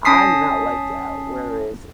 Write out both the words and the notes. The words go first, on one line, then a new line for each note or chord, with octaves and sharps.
I'm not like that. Whereas,
C#4 A5 D#6 B6 C7